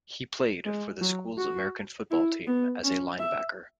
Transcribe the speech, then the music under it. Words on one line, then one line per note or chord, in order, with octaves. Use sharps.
He played for the school's American football team as a linebacker.
G#3
F#3
F#4
E4
B3
C#4
E5